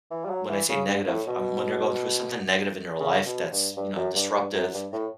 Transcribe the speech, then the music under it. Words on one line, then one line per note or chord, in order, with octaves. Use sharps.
when I say "negative," um, when they're going through something negative in their life that's, you know, disruptive
E3
G3
F#3
E3
C#3
G2
A2
B2
C#3
B2
G2
G2
F#2
G2
G2
F#2
G2
A2